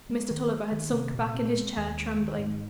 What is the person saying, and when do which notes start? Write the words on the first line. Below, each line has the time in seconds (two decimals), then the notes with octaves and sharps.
Mr. Tulliver had sunk back in his chair trembling.
0.09 G#3
0.31 D#3
0.51 A#3
0.72 D#3
0.92 C3
1.14 A#2
1.34 C4
1.56 G#3
1.76 D#2
1.97 G#3
2.17 D#3
2.38 G#2